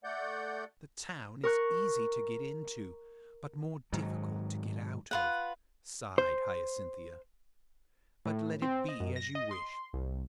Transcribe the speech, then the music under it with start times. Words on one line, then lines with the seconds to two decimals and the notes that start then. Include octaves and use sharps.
'The town is easy to get into, but more difficult to get out of,' sighed Hyacinthia. 'But let it be as you wish.
0.04 A3 D5 F#5 G6
1.44 A#4 C#6 F#6
3.93 G#2 D#3 F#3
5.11 F4 B4 F#5
6.18 C5
8.26 A2
8.62 C4
8.89 D#5
9.00 F#2
9.16 A#6
9.35 D#5
9.51 C6
9.93 C2